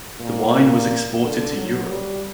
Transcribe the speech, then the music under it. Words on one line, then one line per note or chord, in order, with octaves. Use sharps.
The wine was exported to Europe.
A#2
D3
F#3
G3